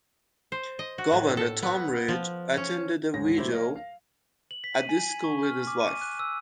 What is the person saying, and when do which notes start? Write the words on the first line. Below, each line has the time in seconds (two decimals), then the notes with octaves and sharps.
Governor Tom Ridge attended a vigil at the school with his wife.
0.52 C5
0.79 D#5
0.98 F#4
1.12 A2
1.37 A4
1.63 B3
2.08 F3
2.57 C#4
3.14 D1 G#2 G#4 C#5 A#6
3.36 F#3 A3 E4 G4 C5
3.51 A#4 C#5 D#5 F5
3.76 F5
4.51 F#7
4.64 B6
4.76 D#7
4.89 G#5
5.09 G#6
5.24 C#6
5.43 F6
5.67 D6
5.81 D#7
6.01 F#6
6.19 E6